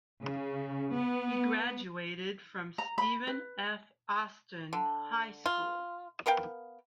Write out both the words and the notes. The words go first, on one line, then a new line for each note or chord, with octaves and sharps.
He graduated from Stephen F. Austin High School.
C#3
B3
A#5
B5
B4
D3
F4
B3 A#4 F5 G5